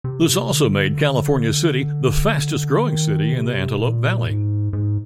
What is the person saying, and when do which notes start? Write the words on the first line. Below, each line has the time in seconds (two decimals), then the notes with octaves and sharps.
This also made California City the fastest growing city in the Antelope Valley.
0.04 C3
0.52 D3
2.86 D#3
3.33 C3
3.80 A#2
4.27 G#2
4.73 G#2